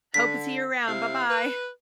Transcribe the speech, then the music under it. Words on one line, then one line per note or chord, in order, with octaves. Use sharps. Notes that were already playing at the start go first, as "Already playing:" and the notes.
Hope to see you around. Bye-bye.
D3 B6
C3 E4 F5
B4